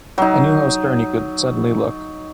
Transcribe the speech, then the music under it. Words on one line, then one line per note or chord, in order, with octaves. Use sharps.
I knew how stern he could suddenly look.
F#3 D#4